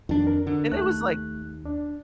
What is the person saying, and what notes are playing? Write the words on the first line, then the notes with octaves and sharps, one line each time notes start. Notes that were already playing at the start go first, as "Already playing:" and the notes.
And it was like
F2 D#3 D4
A#4
D3
D#2 A3 F#6
D4